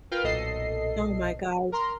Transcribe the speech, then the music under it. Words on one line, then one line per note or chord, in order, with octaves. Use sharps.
Oh my gosh.
F4 A#4 B4 F5 G5 F6
B1 A#2 A4 D#5 C7
A#4 A#5 C6